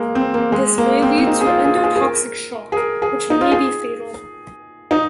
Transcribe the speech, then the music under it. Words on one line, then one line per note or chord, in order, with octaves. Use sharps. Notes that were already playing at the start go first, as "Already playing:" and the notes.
This may lead to endotoxic shock, which may be fatal.
Already playing: G#3 A#3
C4
A#3
G#3
A#3
C4
C4
D#4
G#4
F4
G#4
F4
G#4
G#4
A#4
G#4
A#4
G#4
D#4
F4
G#4
D#4